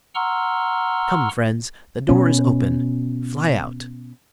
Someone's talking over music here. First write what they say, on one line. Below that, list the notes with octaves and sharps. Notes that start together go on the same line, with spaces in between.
"Come, friends; the door is open--fly out!"
F#5 A#5 C6 C#6 E6 F6
B2 C#4